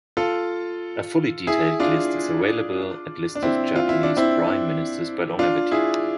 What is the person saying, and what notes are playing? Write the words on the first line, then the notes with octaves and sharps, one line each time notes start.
A fully detailed list is available at List of Japanese prime ministers by longevity.
F4 A4
E4 G#4
D4 F4
D4
C4 E4
F4
E4
D4
C4 E4
D4 F4
E4 G#4